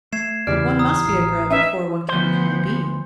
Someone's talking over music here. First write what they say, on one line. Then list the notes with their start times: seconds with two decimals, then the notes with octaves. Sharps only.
One must be a Grub before one can become a Bee.
0.13 A3 G#6 C7 E7
0.47 E2 C#3 E3 G4 D5 F6
0.79 A#5 D#6 E6
1.06 A1 A#5 F6 C7
1.51 C#4 D#4 B4 E5 G#5
2.09 D2 F3 B3 C5